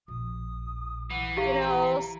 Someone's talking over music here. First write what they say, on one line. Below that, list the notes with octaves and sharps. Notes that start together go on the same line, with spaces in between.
you know?
A#1 D#6
E3 F#5
E4 G4 F5 A#5